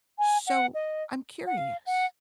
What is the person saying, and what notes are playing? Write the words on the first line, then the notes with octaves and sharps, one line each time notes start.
So, I'm curious,
G#5
F#5
D#5
F#5
F5
F#5